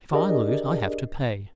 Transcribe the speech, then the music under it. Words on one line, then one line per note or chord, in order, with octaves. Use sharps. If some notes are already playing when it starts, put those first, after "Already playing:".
If I lose I have to pay.
D4 G4 G#4 A#4 D5 D#5